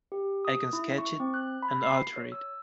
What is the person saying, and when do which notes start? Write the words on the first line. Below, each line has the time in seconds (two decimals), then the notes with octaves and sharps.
I can sketch it and alter it.
0.12 G4
0.45 D#6
0.73 E4
0.98 C#6
1.20 C4
1.34 F#6
1.62 B5
1.83 C7
2.16 C#5
2.32 E6